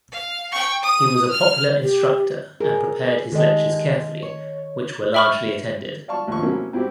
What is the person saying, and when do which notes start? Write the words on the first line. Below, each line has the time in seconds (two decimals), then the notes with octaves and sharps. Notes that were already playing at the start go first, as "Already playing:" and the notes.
He was a popular instructor and prepared his lectures carefully, which were largely attended.
0.12 F5
0.52 G5 C#6
0.83 D#6
1.30 F6
1.82 G4
2.60 G#4 A#4
3.32 D#3 G#3 G4 A4 D#5
4.22 C#5
5.14 E5 G5 B5 C#6 F6
6.08 D5 F5 A5 C#6
6.27 A1 D#2 F3 C#6
6.42 C3 F#3 A#3 C#4 E4
6.73 C4 E4 F#4 G4